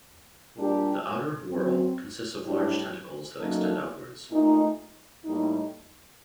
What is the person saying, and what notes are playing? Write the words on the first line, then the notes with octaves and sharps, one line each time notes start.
The outer whorl consists of large tentacles that extend outwards.
A#2 G3 D4 G4
F#2 F#3 C4
A2 G3 D4 G4
F#2 F#3 A#3 D#4 A4
A#2 A3 D#4
A2 G3 A#3 D#4